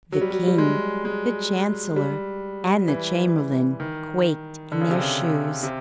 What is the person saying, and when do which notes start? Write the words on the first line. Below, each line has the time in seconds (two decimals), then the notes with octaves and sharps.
The King, the Chancellor, and the Chamberlain quaked in their shoes.
0.12 F#3
0.21 G3
0.30 F#3
0.47 G3
0.58 G#3
1.05 G#3
1.96 G3
2.88 E3
3.80 D#3
4.72 D3
4.81 C#3
4.91 C3
5.01 C#3
5.63 C3